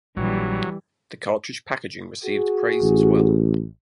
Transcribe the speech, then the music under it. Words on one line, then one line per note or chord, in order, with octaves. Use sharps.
The cartridge packaging received praise as well.
A#1 E3 F#3 G3
F#4 G#4
A1